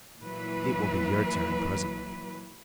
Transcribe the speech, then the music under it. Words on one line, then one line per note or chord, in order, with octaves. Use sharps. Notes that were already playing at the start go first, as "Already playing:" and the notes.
"It will be your turn presently!"
A#2 E3 F#3 B4